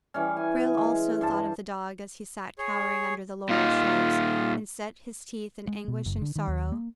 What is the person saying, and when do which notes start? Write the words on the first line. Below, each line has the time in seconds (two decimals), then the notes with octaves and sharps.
Frale also thought of the dog as he sat cowering under the laurel shrubs, and set his teeth in anguish and sorrow.
0.14 E3 G3 C#4
0.37 G#5
0.78 G#3
1.21 G2 C5 A5
2.59 G#4 C#5
3.49 A#2 D#4 F4
5.67 G#3
5.88 B2
6.06 F#1
6.22 D3
6.36 D#3
6.47 D#2
6.72 A#3